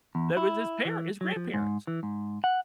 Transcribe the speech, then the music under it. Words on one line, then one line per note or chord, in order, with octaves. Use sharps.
That was his parent his grandparents.
E2
E4
E3
F#3
F3
G#2
E3
G#2
F#5